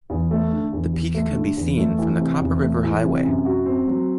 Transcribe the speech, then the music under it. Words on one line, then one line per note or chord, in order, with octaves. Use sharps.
The peak can be seen from the Copper River Highway.
E2
A3
D3
E2
E2
A3
D3
E2
A3
E3
C3
E2
A3
E3
C3
F#2
F#4
C4
F#3